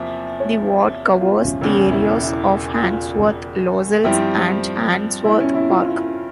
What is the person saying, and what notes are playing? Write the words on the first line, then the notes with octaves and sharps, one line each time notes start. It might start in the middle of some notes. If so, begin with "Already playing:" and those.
The ward covers the areas of Handsworth, Lozells, and Handsworth Park.
Already playing: E2 C3 F3 A#3 E4
C#5
F4
C#4
E1 E2 C#3 C#4
E4
E4
F4
G2 F3 C4 E4 G4
E4
C#4
E4
F4
E4